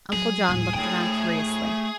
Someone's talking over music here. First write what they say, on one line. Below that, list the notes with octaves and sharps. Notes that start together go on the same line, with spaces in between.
Uncle John looked around curiously.
F#3 G#4
D#1 A2
G#2 A3 G5